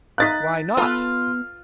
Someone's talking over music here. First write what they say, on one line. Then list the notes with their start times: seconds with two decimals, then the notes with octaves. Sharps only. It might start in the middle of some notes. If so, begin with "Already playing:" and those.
Why not?
0.18 D#4 D#5 F5 F#6 A6 B6
0.77 B3 F4 A4 B4